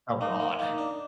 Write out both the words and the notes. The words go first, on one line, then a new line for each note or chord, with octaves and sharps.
Oh god.
A#3 D#4
A#3
A#3 D#4
D4